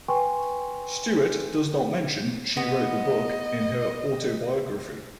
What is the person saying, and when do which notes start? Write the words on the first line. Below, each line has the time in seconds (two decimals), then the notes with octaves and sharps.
Stuart does not mention "She Wrote the Book" in her autobiography.
0.08 B4 G5 G#5 C6 C#6
2.57 B3 D#5